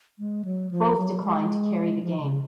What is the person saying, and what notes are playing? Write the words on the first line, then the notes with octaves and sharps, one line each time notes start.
Both declined to carry the game.
G#3
F#3
F3
F#3
G#3
F3
C#3